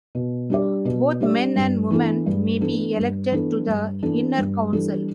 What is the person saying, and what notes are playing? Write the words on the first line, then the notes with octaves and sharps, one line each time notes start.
Both men and women may be elected to the inner council.
B2
G3 D4 G4 D5
B2
G3 D4 G4 D5
G2
E3 B3 D4 A4
G2
E3 B3 D4 A4
G2
E3 B3 D4 A4
G2
E3 B3 D4 A4
G2
E3 G3 D4 A4